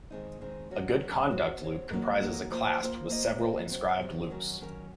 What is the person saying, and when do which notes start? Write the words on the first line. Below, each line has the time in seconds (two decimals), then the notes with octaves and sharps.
A Good Conduct Loop comprises a clasp with several inscribed loops.
0.10 D#3 G#3 C4 D#4
0.41 D#3 G#3 C4 D#4
0.71 F#3 C#4 F#4 C#5
1.00 F#3 C#4 F#4 C#5
1.30 C4 F#4 C#5
1.60 C4 F#4 C#5
1.90 F#3 A#3 D#4 A#4
2.21 F#3 A#3 D#4 A#4
2.50 F3 A#3 F4 C5
2.80 F3 A#3 F4 C5
3.10 A#3 F4 C5 D#5
3.40 A#3 F4 C5 D#5
3.70 C3 F#3 C4
4.00 C3 F#3 C4
4.30 D#3 F#3 C#4 F#4 A#4
4.60 D#3 F#3 C#4 F#4 A#4